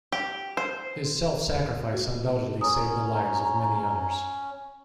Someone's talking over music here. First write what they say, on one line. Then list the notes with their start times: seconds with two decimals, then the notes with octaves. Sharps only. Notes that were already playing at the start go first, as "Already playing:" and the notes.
His self-sacrifice undoubtedly saved the lives of many others.
0.12 G4
0.57 C5
1.93 F#4
2.61 C#4 A#5 D#6